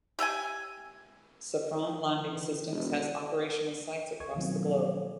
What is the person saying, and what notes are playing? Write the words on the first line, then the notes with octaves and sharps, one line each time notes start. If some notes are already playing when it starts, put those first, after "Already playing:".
Safran Landing Systems has operational sites across the globe.
G4 E5 G5 G#5
E3
E3
E1
D2 A4 D#5 C#6 G#6
B2 D#3 F3 F#3 A#3 C4